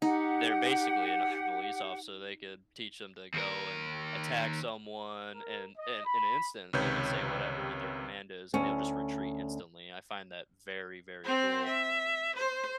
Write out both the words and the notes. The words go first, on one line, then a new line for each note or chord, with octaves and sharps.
They're basically another police officer, they could teach 'em to go and attack someone, and and in an instant, they could say whatever their command is, and they'll just retreat instantly, I find that very, very cool,
D#4 G4 F#5
D#2 A#4
A#4
D#5
B5
C#2 C3 D#3 B4 C#5 G6
D2 C#4
C4 C5
E5
C5